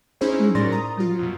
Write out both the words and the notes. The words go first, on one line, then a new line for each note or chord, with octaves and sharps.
Mhm, mhm.
C#4 D#4 E4 G#4 C5 C#5
A2 A#4 D5 C6 A6 A#6
A#5 D#6
F4
F#2 B2